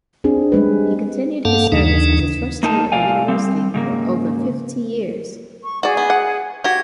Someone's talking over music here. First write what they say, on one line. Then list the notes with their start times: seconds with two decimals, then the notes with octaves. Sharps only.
He continued his service as a Trustee of the University for over fifty years.
0.24 C4 D4 G#4
0.52 G3 G#3 B4
1.45 G2 A#3 A4 F5 F#5 A5
1.72 D#2 C#3 E3 D4 D#4
2.63 A#3 D#4 A#4 A5
2.92 A2 C3 D5 F5 G#5
3.28 G3 C4
3.74 G#2 C#3 A#3
5.63 C#6
5.83 F#4 G#4 D5
5.97 B3
6.10 F#5
6.64 F#4 G4 G#6